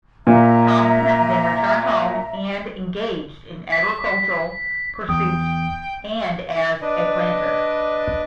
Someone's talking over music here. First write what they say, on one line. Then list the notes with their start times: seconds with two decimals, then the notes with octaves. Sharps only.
Compton then returned home and engaged in agricultural pursuits and as a planter.
0.27 A#2 E5 A#5
3.72 B6
5.09 E2 G5 D#6
6.82 D4 B4 D5 D#5